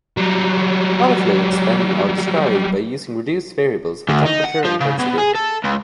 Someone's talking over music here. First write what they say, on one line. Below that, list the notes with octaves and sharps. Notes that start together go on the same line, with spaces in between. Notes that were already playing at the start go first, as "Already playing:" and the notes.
Other fluids then are described by using reduced variables for temperature and density.
F#3 G3
D2
D#4
F#5
F3
C#3
B2
G#4
A4
C#2